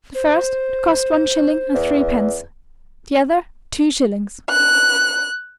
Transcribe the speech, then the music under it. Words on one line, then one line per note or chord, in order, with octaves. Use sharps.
The first to cost one shilling and threepence, the other two shillings.
C5
E2
F#6